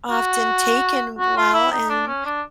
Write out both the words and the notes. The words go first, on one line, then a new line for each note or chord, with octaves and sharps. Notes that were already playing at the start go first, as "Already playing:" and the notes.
often taken well, and
F#4
F#4
F4
E4
D#4
D4
C#4
D4